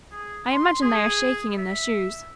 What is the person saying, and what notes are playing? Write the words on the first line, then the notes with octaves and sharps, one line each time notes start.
"I imagine they are shaking in their shoes."
G#4
C6
G#4
E5